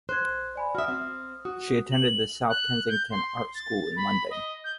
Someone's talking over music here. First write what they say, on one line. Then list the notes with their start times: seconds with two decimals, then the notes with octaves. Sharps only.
She attended the South Kensington Art School in London.
0.09 C5 F#6 G#6
0.55 D5 G#5 B5
0.75 F#4 E5 D#6 F6
0.88 C4
1.45 F#4 D#6
1.92 F#7
2.49 F#6
2.89 G6
3.11 C6
3.55 A6
3.96 B5
4.30 D#5
4.64 G6